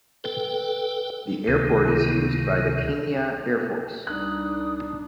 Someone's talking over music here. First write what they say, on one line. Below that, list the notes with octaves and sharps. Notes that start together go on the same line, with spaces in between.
The airport is used by the Kenya Air Force.
A4 B4 G5
C#2 C3 D#3
C2 G3 D4 D#4 D#6 F#6